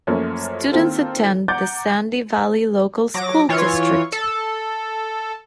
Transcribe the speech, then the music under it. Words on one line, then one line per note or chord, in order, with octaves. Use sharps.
Students attend the Sandy Valley Local School District.
F#2 F3 A3 A#3 C#4
D#3 A#3 C4 F4 A4
F#5 A#5 D6 G6 A6
F#3 D6 A#6
E3 F4 C#5
A4